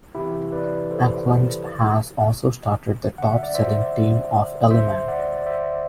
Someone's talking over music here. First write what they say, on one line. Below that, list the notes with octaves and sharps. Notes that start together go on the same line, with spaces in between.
Eklund has also started the top-selling team at Elliman.
E2 C3 E3 E4 G4
B4 D5
A4 C5
E2 D3
E2 D3 F#5
E5
D5
C5 E5
D2 D3 C5 E5
D5 F#5
D5
C5 E5